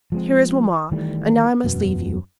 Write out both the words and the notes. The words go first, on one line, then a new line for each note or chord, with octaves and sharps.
Here is mamma, and now I must leave you.
F3 G#3 C4
D#3 E3 G3 A3
E1 F#2 B2 B3